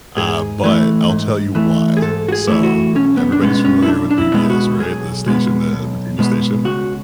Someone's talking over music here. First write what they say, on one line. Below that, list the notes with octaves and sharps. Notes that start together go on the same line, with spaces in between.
uh, but I'll tell you why. So, everybody's familiar with PBS, right? The station the the TV station.
G#2 G#4
E3 A3
G#2
E3 A3
G#4
G#2 A4
F#4
G#4
E3 A3
F#4
B1 C#4
B3
D4
B2 G#3 B3 C#4
C#4
E4
B1 D4
D4
E4
B2 G#3 B3
F#4
B1 G#4
B2 G#3 B3
B1
B2 G#3 B3
C#2 F#4